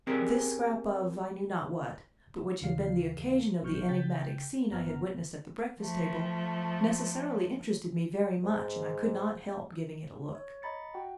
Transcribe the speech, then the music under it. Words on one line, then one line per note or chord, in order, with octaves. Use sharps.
This scrap of I knew not what, but which had been the occasion of the enigmatic scene I had witnessed at the breakfast-table, necessarily interested me very much and I could not help giving it a look.
C4 C#4 G4 G#4 A#4 D5
D#2 C#3 E3 F5 C7
A#1 B2 F#3 C#6 F6 G6
C#3 G5 G6 A6 B6
G1 B3 F#5 A#5 F6
F3 A3
G#2
C#5
D#5 A#5 B5 A6 C#7
F#4 F#5 G5